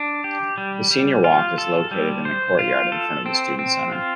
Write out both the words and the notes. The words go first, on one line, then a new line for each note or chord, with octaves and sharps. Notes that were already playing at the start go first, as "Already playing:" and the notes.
The Senior Walk is located in the courtyard in front of the Student Center.
Already playing: D4
G4
G3
G3
F4
A4
G3
C5
F4
A4
C4
C4
F4